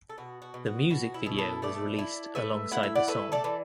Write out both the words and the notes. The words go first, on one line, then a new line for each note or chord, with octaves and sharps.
The music video was released alongside the song.
A4
B2 F#4
F#4
B2
F#4
B2 F#4
E4
B2
E4 A4
A3 A4 D5
E4
A3 B4 E5
E4 F#5
E5
D5 F#5
A3 B4 E5
A4 D5
E3